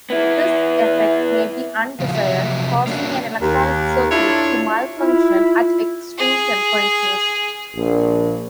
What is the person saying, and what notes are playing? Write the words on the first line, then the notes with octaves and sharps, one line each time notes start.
This effect may be undesired, causing an electronic circuit to malfunction at extreme temperatures.
B3 E4
A#2 C#3 F3
C3 F3 F#3 E5
A#3 C#4 D4 F#4
D#2
D4 E4 F4 A4 C#5
E4 F4
G#4
A#1